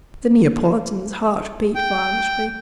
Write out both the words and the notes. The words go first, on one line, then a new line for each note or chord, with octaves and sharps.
The Neapolitan's heart beat violently.
G5